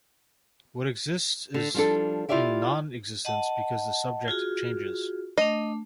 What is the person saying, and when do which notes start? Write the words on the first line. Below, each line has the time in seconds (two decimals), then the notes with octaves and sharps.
What exists is in non-existence, because the subject changes.
1.54 D3
1.74 F3 G3 B3 D4 A4
2.29 E4 F4 G4 D5 E5 G5
3.25 D#5 F#5 A5
4.28 F4 F#4 G#4
5.38 A3 D4 D#5